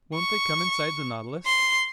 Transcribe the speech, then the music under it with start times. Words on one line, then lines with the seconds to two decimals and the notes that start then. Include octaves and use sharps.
"Won't they come inside the Nautilus?"
0.15 C#6
1.46 C6